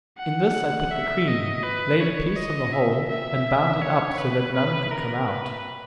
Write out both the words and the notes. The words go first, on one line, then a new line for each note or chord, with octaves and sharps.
In this I put the cream, laid a piece on the hole, and bound it up so that none could come out.
F#5
E5
D#5
B4
C#5
D#5
E5
E5
C#5
B4
B4
A#4
B4